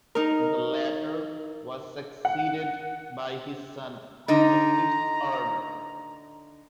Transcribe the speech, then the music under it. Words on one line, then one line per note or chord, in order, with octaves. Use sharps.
The latter was succeeded by his son, the fifth Earl.
D#4 A#4
F#5
D3 D#4 A#5